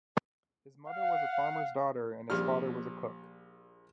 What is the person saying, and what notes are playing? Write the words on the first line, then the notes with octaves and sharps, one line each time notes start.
His mother was a farmer's daughter and his father was a cook.
F5 F#5
A#1 G3 F6